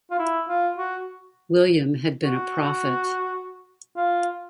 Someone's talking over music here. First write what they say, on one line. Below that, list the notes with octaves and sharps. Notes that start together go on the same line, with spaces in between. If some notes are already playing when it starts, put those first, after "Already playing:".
William had been a prophet.
F4
E4
F4
F#4
F#4
F4